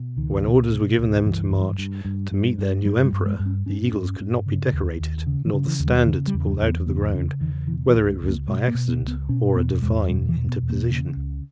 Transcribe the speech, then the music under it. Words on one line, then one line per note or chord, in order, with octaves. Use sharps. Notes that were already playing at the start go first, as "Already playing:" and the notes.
For when orders were given them to march, to meet their new emperor, the eagles could not be decorated, nor the standards pulled out of the ground, whether it was by accident, or a divine interposition.
Already playing: B2
C#2 D#3
B2
B2
C#2
G2 E3
G2
G2
G2
G2
G2
G2 G3
G3
G2
G#3
G2
C#4
G2 C#4
C#4
G2
G2
C#3
D#2
D#2
C#3
E3
C#3
E3
D#2
G3
C#3 E3
G3
E2
G3
E2
B3
C#3 B3
C#3 C#4
E2 D#3
B2 E3
E3
C#2
G#3
C#2
A#3
B2 G#3
B3
A#3
B2
B3
C#2
B3
B2 C#4
E2 B3
E2 G#3
B2 G3
E3
B2
B3
E2
A#3
C#3
C#2